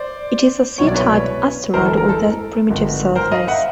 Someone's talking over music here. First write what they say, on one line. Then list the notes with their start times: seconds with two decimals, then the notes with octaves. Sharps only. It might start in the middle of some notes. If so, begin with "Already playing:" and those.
It is a C-type asteroid with a primitive surface.
Already playing: C5 D5
0.78 C2 B2 F#3 C#5
0.87 D5
0.94 B4 C#5
1.74 G1 G2 E3 A#4 C5
1.85 A4
1.97 A#4
2.09 A4
2.68 G#1 G2 D3 F3
3.15 A#4 C5
3.31 D#5 F5
3.47 E5 F#5